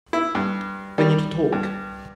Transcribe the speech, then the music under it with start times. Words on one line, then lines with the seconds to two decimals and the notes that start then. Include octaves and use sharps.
We need to talk.
0.13 E4
0.35 G2
0.98 G3
1.52 G2